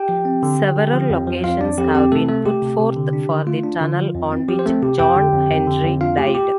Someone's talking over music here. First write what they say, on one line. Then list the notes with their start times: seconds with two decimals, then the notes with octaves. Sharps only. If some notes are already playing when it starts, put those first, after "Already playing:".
Several locations have been put forth for the tunnel on which John Henry died.
Already playing: G4 G5
0.09 F3
0.25 C4
0.43 D3
0.59 D3
0.76 D3
0.93 F3
1.10 F2
1.27 F3
1.44 F2 F4 F5
1.61 F2 D4 D5
1.77 F2 G4
1.88 A4
1.95 C4 G4
2.12 C3 A3 A4
2.28 A3 A4
2.45 A3 G4
2.62 C3
2.80 C3
2.96 D3
3.13 D4
3.30 D3
3.47 A3 F4
3.64 D4
3.81 D3
3.98 F3
4.15 F2
4.32 C4
4.48 F3 G4
4.59 C5
4.66 A3 C4 A4
4.82 C3 G4
4.99 F2 G4 G5
5.16 D3
5.33 F2
5.50 F2
5.67 D3
5.84 F2
6.01 D4 F4 F5
6.18 A3 G4
6.27 F4
6.35 G4